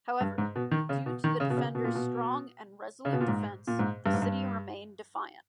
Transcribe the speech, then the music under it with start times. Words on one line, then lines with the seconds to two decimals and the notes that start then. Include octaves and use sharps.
However, due to the defenders' strong and resolute defense, the city remain defiant.
0.21 G2
0.38 G#2
0.56 B2
0.71 D#3
0.89 C#3
1.06 B2
1.24 D#3
1.40 C#3
1.50 B2
1.57 C#3
1.75 B2
1.84 A#2
1.95 B2
3.05 C#3
3.13 B2
3.21 A#2
3.28 G#2
3.67 A#2
3.79 G#2
4.06 G2
4.14 G#2
4.22 G2